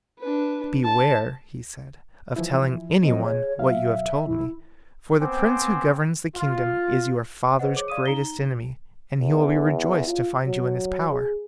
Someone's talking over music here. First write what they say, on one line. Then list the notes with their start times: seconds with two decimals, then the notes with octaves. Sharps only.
"Beware," he said, "of telling any one what you have told me, for the prince who governs the kingdom is your father's greatest enemy, and he will be rejoiced to find you in his power."
0.20 D4 B4
0.85 A5
2.36 E3 F3 E4
3.03 F3 F#3 C4 D#5
3.24 G#4 C#5
3.59 B2 F#3 E5 F5
4.27 F2 E3 E4
5.20 B3 C4 C5 G5 G#5 D6
6.36 F4
7.59 G#4 B4 C5 D#5 F#5
7.77 G#4 C#5 D6
7.88 D5 F5 D#6 D#7
8.06 D#4 A#5 G7
9.20 E2
10.07 F4
10.45 F#3
11.10 G#4